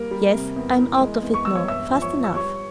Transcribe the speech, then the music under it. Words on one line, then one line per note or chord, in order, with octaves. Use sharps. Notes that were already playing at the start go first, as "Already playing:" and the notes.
"Yes--I'm out of it now fast enough."
Already playing: G3 A#3 A#4
G3
C3
E2
E3
G#3
E2
C#6
E2 E6
C#5 C#6
G2 E5 E6
F3
C#5 C#6
F3
E6
G3 C#5 C#6